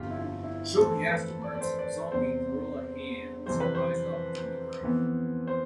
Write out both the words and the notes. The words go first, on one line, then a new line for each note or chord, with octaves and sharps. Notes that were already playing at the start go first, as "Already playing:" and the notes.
Shortly afterwards, zombie gorilla hands rise up from the ground.
Already playing: G1 F2 D3 F4 G4
E4
F4
E4
E4
F2 E3 A3 C4 A4
B4
D5
D5
C5
D5
E2 C3 G3 C4 C5
F2 C3 E3 G3 C5
B4
C5
F2 E3 B3
C5